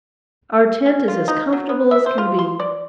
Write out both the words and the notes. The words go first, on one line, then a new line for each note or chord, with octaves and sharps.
Our tent is as comfortable as can be.
C#4
F4
D#4
F#3
B3
E5
C5
F4
C6
D5